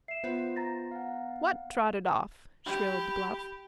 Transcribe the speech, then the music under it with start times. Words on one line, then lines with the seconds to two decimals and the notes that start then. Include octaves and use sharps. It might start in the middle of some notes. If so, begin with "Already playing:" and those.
"What trotted off?" shrilled Bluff.
0.08 E5 C7 E7
0.24 B3 F4 C5 G6
0.56 A#5 A6 A#6
0.91 F5 F#5
2.66 G4 B5